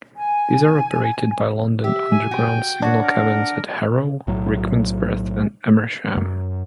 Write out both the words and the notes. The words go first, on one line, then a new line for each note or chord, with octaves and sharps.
These are operated by London Underground signal cabins at Harrow, Rickmansworth and Amersham.
G#5
G4 E5
G#5
F#4 G5
D4 F#4 C#5 F#5
A#4
B1 A2 F#3
F#2